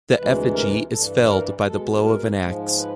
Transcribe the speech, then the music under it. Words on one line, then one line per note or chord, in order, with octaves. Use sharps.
The effigy is felled by the blow of an axe.
D2 C3 E3 G#3 B4
A#4
G2 E3 G3 A4
A#4
B2 G#3 A4
A#4
G#2 F3 G#3
B4